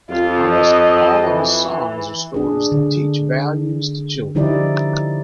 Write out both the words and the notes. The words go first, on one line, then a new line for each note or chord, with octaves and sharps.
Almost all his songs are stories that teach values to children.
F2 F4
D#5
E3
D4 G#4
D3
D3 F3 D#4 E4 G4 D5